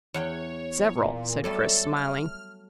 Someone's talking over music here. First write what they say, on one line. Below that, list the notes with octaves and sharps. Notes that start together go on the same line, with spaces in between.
"Several," said Chris, smiling.
E2 C#5 F#5 G5
A#2
F#3 G3 A3 A4
F6